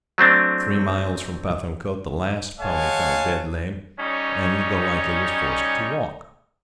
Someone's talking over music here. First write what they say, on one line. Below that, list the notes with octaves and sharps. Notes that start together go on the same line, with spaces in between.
Three miles from Pathankote the last pony fell dead lame, and Golightly was forced to walk.
F#3 A3 C4 D4
G#3 C#5 F5 F#5 G#5 A5
G3 C#4 D#4 C#5